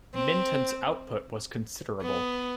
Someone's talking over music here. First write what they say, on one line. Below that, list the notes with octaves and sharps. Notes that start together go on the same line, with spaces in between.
Minton's output was considerable.
C4
B3